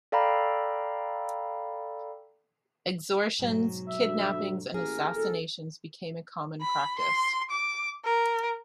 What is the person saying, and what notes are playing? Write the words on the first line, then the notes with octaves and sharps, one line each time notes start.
Extortions, kidnappings and assassinations became a common practice.
A4 D5 F5 G5 A#5 B5
G#2 B2 F#3
E5
D2
A1 A#3 G#4 A#4
E1 A4
B5
C6
D6
A#4